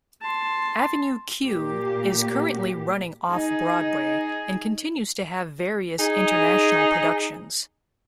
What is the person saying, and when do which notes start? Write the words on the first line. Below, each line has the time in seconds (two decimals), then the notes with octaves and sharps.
"Avenue Q" is currently running Off-Broadway and continues to have various international productions.
0.21 A5 C6
1.42 A#2 A#3 G4
3.29 D#4 G#4
5.98 D#4 G#4